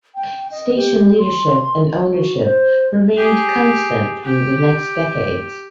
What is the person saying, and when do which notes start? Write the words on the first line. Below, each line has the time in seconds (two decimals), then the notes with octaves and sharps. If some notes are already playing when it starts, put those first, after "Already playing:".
Station leadership and ownership remained constant through the next decades.
0.15 G5
0.51 D#5
0.76 G4
1.19 C6
2.09 F#4
2.42 C5
3.17 G4 G#4
4.24 G4